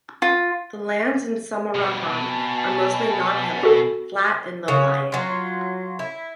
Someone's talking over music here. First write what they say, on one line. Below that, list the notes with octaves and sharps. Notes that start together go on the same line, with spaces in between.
The lands in Samarahan are mostly non-hilly, flat and low-lying.
F4
G2 B2
B2 G#5 A5
F#4 A4
C#3 C#5 F#5
F#3 F4
E4